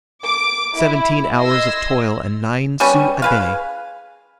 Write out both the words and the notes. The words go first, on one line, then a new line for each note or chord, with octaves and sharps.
Seventeen hours of toil, and nine sous a day!
D6
E4
D#5 C6 E6 G#6 A#6 C7
G3 B3 C#4
G#4 B4 F5